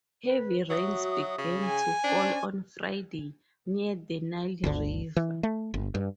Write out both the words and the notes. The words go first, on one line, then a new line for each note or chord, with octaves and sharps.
Heavy rains began to fall on Friday near the Nile River.
B4
F#3 F#4 E5 D#6
C#3
G#4 G5 G#5
C#4 D4 C5 D5
G1 D2 D3
E3
A3
G1
G2